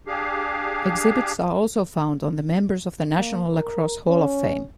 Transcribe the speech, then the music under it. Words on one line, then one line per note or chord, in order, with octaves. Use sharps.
Exhibits are also found on the Members of the National Lacrosse Hall of Fame.
D4 G4 G#4 F5
A#3
A#4
C#4